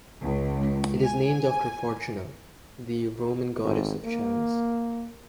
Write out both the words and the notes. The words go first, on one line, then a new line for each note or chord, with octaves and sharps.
It is named after Fortuna, the Roman goddess of chance.
C#2
G#5
G#1
A#3